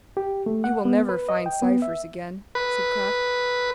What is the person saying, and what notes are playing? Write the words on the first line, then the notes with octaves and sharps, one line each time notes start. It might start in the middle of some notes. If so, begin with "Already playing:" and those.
"He will never find Cypher's again," said Kraft.
G4
A3
F#5
B3
B4
D#5
G5
B3
E5
B4